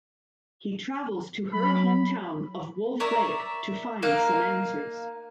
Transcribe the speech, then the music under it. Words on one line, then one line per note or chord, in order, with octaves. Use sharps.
He travels to her hometown of Wolf Lake to find some answers.
F#3 B5
A#4 C#5 D5 E5
A#3 D#4 F5 F#6